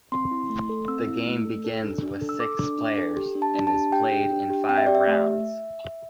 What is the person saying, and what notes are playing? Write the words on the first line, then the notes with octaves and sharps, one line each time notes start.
The game begins with six players and is played in five rounds.
C4 C6
E4
A3
A4
C4 E6
E4
A3
A4
A4
D4
D4
A4
E6
A4 D6
D4
D4
A4
G4
D4
A5
D4
A5
G4
G4 G5
D4
D4
G4
C4 G5
E5
G4 D5
E5
A3